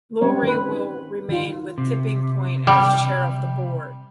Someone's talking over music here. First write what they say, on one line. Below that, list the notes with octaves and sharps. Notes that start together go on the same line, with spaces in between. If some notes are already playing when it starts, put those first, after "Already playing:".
Lurie will remain with Tipping Point as chair of the board.
G3 C4 C#4 C#5
D#3 B4
D#3 F4
C3
G3